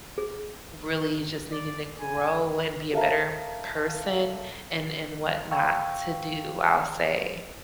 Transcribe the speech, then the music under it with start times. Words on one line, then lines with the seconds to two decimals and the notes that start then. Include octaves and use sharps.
really just needing to grow and be a better person and and what not to do, I'll say.
0.18 G#4
1.52 D5
2.00 G#5
2.93 A4 A#4 E5 F5 A5 A#5
5.51 F5 G5 C#6 E6